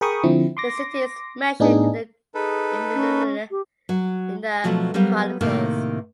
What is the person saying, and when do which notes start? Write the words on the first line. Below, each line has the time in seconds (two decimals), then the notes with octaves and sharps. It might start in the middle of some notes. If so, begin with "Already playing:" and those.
The city is mentioned in the chronicles.
0.01 G#4 A#4 G5 B5 C#6 D#6
0.23 D3 F3 C4 E4
0.57 C6 D6 A#6
1.60 A2 B3 D4 D#4 G#4
2.35 D#4 G#4 A4 B4
2.94 C#4
3.50 G4
3.89 F#3
4.64 B2 F3 F#3 A3 B3 C4
4.94 F#3 G3 B3 G4 A#4 F5
5.41 A2 C3 D#3 A#3 F5